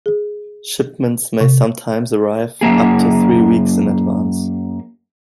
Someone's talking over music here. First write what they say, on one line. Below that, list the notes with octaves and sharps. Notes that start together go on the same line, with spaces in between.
Shipments may sometimes arrive up to three weeks in advance.
G#4
C3
F#2 C#3 A#3 G#4